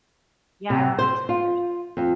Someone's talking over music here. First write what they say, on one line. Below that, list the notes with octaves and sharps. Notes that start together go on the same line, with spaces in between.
Yeah, I remember these pictures.
C3
C5
F4
F2